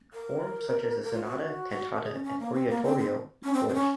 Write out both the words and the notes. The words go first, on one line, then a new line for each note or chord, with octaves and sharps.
Forms such as the sonata, cantata and oratorio flourished.
A#4
A#4
F4
F#4
A#4
G#4
C#4
C#4
A#3
C4
A#3
C4
C4
C#4
C4
C4
C#4